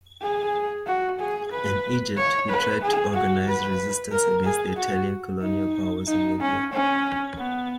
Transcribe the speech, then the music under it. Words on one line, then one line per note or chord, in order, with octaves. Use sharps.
In Egypt, he tried to organize resistance against the Italian colonial powers in Libya.
G#4
F#4
G#4
B4
C#5
B4
G#4
F#4
B4
A#4
G#4
F#4
D#4
D#4
C#4
C#4
B3